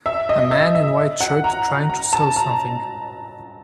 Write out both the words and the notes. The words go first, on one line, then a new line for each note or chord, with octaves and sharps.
A man in white shirt trying to sell something.
E5
D#5
E5
E5
F#5
A#5
A#5
A5
A#5